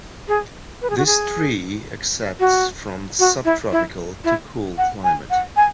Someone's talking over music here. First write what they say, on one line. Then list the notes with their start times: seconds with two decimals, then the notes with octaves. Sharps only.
This tree accepts from subtropical to cool climate.
0.28 G#4
0.82 B4
0.90 G#4
0.97 F#4
1.06 G#4
2.40 F#4
3.19 F#4
3.45 E4
3.72 E4
4.24 E4
4.78 F#5
5.04 G#5
5.30 F#5
5.56 G#5